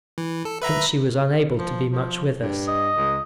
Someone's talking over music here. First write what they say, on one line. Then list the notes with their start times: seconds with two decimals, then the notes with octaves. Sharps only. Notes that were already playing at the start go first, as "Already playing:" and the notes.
Hence she was unable to be much with us.
0.18 E3
0.45 A4
0.62 B4 E5 A#5
1.58 F3
1.91 F3
2.41 G2
2.68 D#5
2.96 C#2